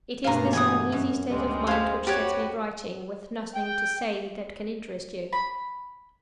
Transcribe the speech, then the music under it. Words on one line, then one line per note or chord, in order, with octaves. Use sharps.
It is this uneasy state of mind which sets me writing, with nothing to say that can interest you.
G2 B2 A3 A#3 F5 G#5 A#5
E3 B3 G#5 D#6
F#2
D2 G3 G#3
G#4 C5 F5 A5
F#4 G4 B4 C#5
G5
B5